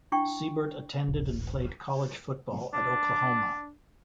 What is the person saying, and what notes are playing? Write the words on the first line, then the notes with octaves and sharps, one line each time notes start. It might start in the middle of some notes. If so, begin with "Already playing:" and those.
Seibert attended and played college football at Oklahoma.
D4 E4 F#5 G5 C#6
D#1 A#1
D4